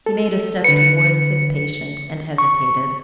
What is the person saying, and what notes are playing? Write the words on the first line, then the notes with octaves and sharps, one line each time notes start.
He made a step towards his patient and hesitated.
A4
D3 B4 C#7
C#6